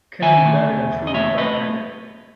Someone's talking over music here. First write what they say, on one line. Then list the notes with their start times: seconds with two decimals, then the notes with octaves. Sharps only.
Kennedy batted and threw right-handed.
0.22 D#3 E5 G#5
0.45 A3
0.68 E2
0.92 E2
1.07 D#5
1.14 A3 C#5 E5
1.37 A3 B4 D#5